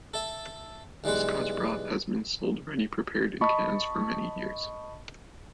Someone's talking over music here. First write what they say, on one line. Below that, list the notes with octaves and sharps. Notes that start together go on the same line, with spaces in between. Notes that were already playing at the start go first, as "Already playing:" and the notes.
Scotch broth has been sold ready-prepared in cans for many years.
A4 E5
B1 E3 G3 G#3 B4
D#5 A5 B5 C#6